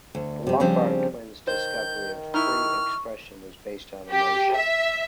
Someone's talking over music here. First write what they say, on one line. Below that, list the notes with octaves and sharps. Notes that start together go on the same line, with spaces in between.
The Lombard Twins’ discovery of "Free Expression" was based on emotion.
D2
C3 G3
C#3 F3 G3 C4 D4
D#3 C5 G6
D#4 E4 C#6 F6
G4
E5